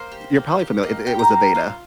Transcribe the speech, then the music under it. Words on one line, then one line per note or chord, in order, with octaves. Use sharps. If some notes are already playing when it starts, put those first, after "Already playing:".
you're probably famil it was Aveda.
Already playing: A#3 C5
G4
A#3
G4
A#3 D#5
G4 G5
A#5
A#3
F4